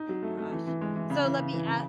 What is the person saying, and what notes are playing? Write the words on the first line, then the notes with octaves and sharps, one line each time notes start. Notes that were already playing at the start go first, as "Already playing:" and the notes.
Ooh gosh. So, let me a
Already playing: D#4
F#3
A3
A3
E3
E3
G#3
E3
C#3
E3
C#3
E3
C#3